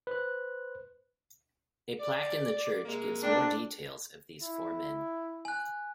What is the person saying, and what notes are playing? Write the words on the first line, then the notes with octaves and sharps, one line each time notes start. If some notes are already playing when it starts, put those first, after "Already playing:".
A plaque in the church gives more details of these four men.
B4 C5 F#6
D5
C3 G#3 A#3
C4 D4
E4
G#5 F#6